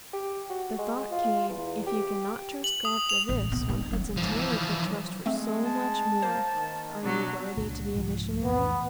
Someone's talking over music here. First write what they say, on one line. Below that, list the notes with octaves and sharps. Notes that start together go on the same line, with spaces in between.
The thought came--if you cannot trust God for this, when Hudson Taylor could trust for so much more, are you worthy to be a missionary?
G4
F#4
G#3
F4
E2
G4
F#7
D#6
F7
A1
B1 B3
D2 D#4
F#3 C#4
G#2 F3
E3 F3
G#3 A3 C4
A5
A#3 C5
D#3
B2 F#3 D4
C#2 A#2 D3
C2 G#2 F3
F2 A2 E3 B3